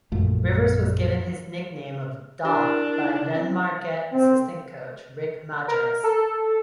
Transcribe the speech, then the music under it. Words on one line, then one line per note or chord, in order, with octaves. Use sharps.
Rivers was given his nickname of "Doc" by then-Marquette assistant coach Rick Majerus.
A#1 F#2 A#2 A3
D4 E4 G4 A#4
D#4
C4 C#4
C4
A#4
A4